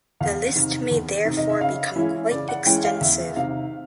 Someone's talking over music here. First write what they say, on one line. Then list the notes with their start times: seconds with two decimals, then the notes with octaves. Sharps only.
The list may therefore become quite extensive.
0.20 E2 F5
0.55 C3 D#3
0.91 E2
1.25 C3 D#3
1.37 D#5
1.49 E5
1.61 C#3 F5
1.96 E3 G#3 C#4 E4 E5
2.31 C#3 D5
2.49 F#5
2.66 E3 G#3 C#4 E4 G5
2.84 F5
3.01 E2 E5
3.36 C3 D#3 F5